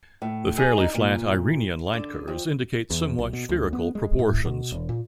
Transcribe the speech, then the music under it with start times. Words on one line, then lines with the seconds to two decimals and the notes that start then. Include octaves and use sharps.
The fairly flat Irenian lightcurves indicate somewhat spherical proportions.
0.22 A2
0.58 G#4
0.77 D#4
0.94 A#2
1.93 D3
2.28 F2
2.90 E2
3.19 B1
3.33 B2
3.49 D2
3.73 B3
3.95 G#3
4.19 A2
4.45 B2
4.72 E1
4.89 A#2